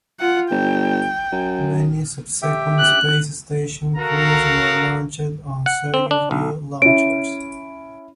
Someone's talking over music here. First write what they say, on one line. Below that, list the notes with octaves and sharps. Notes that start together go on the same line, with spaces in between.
Many subsequent space station crews were launched on Soyuz-U launchers.
F4 F#5
G1 G5
F#2
G4 E5 G5
F#6
F#4 A4 A#4 F5 A#5
F#5
C4
D4
B1
C#4 E4 D7